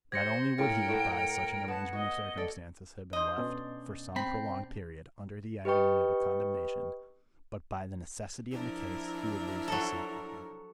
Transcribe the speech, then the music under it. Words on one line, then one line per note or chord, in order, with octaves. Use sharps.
Not only would he, by such an arrangement of circumstances, have been left for some prolonged period under the agony of a condemnation, but, by the necessity of the case, he would lose his seat for Tankerville.
G4 C5 G#6 A#6 C#7
A2 F4 A#4 G5
A2 A3 F#4
B3 F#5 A5
F#4 D#5
A4 D5
D4 C5 D#5
B2 C#4 D5
C4 B5
G4 B4 D#5 G5 C#6
F3 D4 E4 A#4
F#3 A4